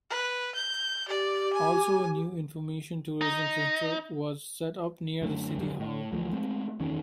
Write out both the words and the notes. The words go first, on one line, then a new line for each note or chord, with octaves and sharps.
Also a new Information Tourism Center was set up near the City Hall.
B4
G6
G4 D5
G#5
D#4
F#2 D3 A3
D#1 F#2 G3
A2
D2 E3 F3 A3
G#3 A3 C4
F#1 E2 D#3 C#4